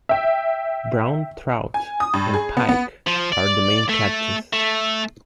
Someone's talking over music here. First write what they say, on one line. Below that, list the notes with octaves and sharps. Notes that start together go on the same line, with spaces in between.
Brown trout and pike are the main catches.
E5 G5
G#5
D#6
G2
G#4
B3
B3
F3
D5
A3
A3